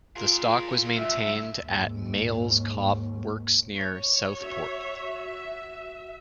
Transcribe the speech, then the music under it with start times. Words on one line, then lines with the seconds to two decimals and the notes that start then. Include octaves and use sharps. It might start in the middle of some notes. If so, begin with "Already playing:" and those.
The stock was maintained at Meols Cop works near Southport.
0.16 F4 G#4 A#4
0.96 D2 G2 E5
1.60 D#2 G#2
3.76 C#5
4.36 F#4 E5